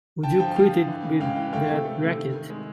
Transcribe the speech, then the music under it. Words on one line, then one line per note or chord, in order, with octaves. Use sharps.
Would you quit it with that racket!
D3 G5 A5
F3 G5 A5
F3 F5 G5
D3
E3
C#3
G#3 F5 G5
E3
A3 F5 G5
C3
A3
C3
D#3
D#3
G#3